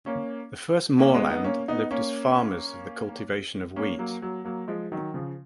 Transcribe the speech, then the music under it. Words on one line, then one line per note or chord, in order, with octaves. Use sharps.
The first Moorland lived as farmers of the cultivation of wheat.
A#3 C#4
A#3 C#4
C#4
G#3 B3
B3 D#4
A#3 C#4
B3 D#4
A#3 C#4
A#3 C#4
F#3 A#3
F#3 A#3
F#3 A#3
F3 G#3
D#3 F#3
C#3 F3